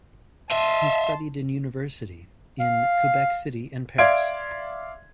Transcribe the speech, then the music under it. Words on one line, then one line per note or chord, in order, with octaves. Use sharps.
He studied in university in Quebec City and Paris.
D#5 E5 A5 C6
F5
D5 E5 F5 C6 G#6 D7